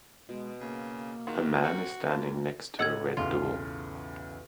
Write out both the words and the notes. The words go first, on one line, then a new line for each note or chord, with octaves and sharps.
A man is standing next to a red door.
B2 G#3
C#3 A#3
D#3 G#3 F4 F#4 F#5
A3 C4 F#4
F#2 A#3 C#4 F5 A5
A2 D#5 F#5 E6 G#6
B1 E2 C#3 F4